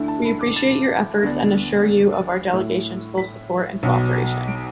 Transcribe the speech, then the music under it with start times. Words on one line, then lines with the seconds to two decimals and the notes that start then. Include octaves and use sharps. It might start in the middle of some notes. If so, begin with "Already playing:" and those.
We appreciate your efforts and assure you of our delegation's full support and cooperation.
Already playing: D2 D3 A3 E4
0.08 A5
0.25 B5
0.41 D6
0.56 A6
1.23 D2 D3 B3 D4
2.53 A2 A3 E4
3.18 B6
3.83 B1 B2 F#3 B3
4.48 D7